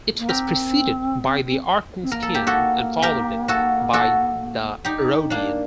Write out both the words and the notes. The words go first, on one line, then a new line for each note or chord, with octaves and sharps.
It was preceded by the Artinskian and followed by the Roadian.
A#3
C4 G4 A#4
C4
A#3 A#4
A4
G4
F#4 A4
G4 A#4
F#4 A4
F#4 A4
D#4 G4
A#3 D4